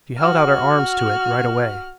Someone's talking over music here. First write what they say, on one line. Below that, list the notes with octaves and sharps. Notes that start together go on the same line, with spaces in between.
She held out her arms to it right away.
F#4 F6